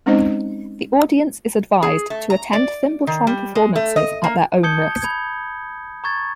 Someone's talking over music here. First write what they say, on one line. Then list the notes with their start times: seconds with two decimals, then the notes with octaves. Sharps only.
The audience is advised to attend Thimbletron performances at their own risk.
0.06 G#3 C4 C#4 D#4 C5 D#5
1.83 G#4
2.10 A3
2.30 A#5
2.53 D5
3.07 D#3
3.27 G3
3.55 G#3
3.76 A3
3.96 D#5
4.24 A#3
4.63 A5 D#6 G6 G#6 C#7 G7
5.02 B5 G#6
6.04 A#5 C#6 G#6 A6